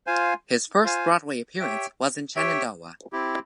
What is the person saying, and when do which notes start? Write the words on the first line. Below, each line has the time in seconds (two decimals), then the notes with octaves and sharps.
His first Broadway appearance was in "Shenandoah".
0.07 F4 C5 F5 G#5
0.83 F4 C5 F5 G#5
1.60 G4 C#5 E5 G5
2.36 G4 C#5 E5 G5
3.12 C4 E4 G4